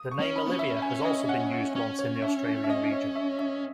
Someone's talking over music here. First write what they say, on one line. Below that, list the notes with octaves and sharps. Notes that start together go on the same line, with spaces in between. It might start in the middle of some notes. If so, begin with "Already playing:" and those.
The name Olivia has also been used once in the Australian region.
Already playing: D#6
C#6
C#4
B5
B3
C#4
E5
G#5
D#5
F#5
F#5
C#4 C#5
C#5
E5
E5
D#5
C#5
E5
E5